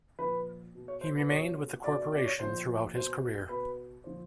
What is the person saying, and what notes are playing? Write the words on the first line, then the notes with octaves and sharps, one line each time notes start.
He remained with the corporation throughout his career.
A#2 F3 B4
B2
C#5
C5
B4
B2 C#5
B2 D5
D5
D5
C#5
A#2 F3 C5
B2 C5
B2 B4
A#2 F3 C5